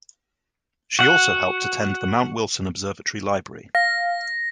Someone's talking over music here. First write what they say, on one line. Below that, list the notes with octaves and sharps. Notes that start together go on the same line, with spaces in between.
She also helped to tend the Mount Wilson Observatory Library.
F#4 F#5
F5 A#6